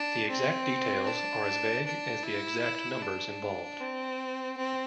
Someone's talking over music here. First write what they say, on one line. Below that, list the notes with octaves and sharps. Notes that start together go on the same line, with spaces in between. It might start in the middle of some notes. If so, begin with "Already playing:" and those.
The exact details are as vague as the exact numbers involved.
Already playing: D4
C4
D4
D4
E4
D4
C4
C4